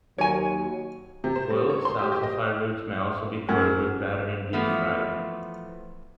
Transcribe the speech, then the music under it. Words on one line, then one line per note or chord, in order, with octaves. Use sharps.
Boiled salsify roots may also be coated with batter and deep fried.
D#2 F#3 C#5 G#5
C3
C5
G3
C#5
C6
G4
G4
D#5
F#2
E3 F3 A3 B3